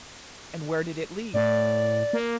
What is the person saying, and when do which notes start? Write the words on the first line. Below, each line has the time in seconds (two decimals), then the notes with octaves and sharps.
"And where did it lead?"
1.34 A2 D5
2.13 A#3